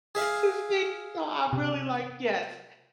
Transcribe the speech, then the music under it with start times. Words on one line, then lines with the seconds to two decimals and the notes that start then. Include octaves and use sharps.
to see so I really like yes,
0.15 G#4 E5 F5
1.53 C3